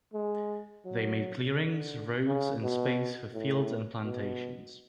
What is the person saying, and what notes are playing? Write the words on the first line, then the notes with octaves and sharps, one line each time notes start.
They made clearings, roads and space for fields and plantations.
G#3
F#3
D3
C#3
B2
A2
B2